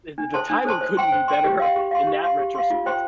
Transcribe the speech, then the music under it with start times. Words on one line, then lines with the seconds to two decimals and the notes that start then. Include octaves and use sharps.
the the the timing couldn't be better in that retrospect
0.18 D4
0.34 A4 C5 A5 C6
0.50 D4
0.65 A4 C5 A5 C6
0.81 C5
0.97 G5 C6
1.12 C5
1.28 G5 C6
1.44 G4
1.60 F5 C6
1.76 G4
1.91 F5 C6
2.07 G4
2.23 F5 C6
2.39 G4
2.55 F5 C6
2.70 F4
2.86 C5 G5 C6